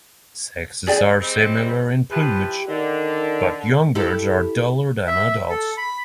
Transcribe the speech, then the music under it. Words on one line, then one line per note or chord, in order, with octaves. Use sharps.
Sexes are similar in plumage, but young birds are duller than adults.
G#4 D5 G5
G3 G#3 C4
F3 E4 G4 B4
D3 D#3
E4 G4 A4
E5
A4
B5